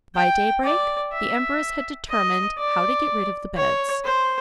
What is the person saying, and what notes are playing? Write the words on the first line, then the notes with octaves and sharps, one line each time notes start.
By daybreak the empress had determined how to get rid of the beds.
G5
D5
E5
D#5
D5
C#5
C5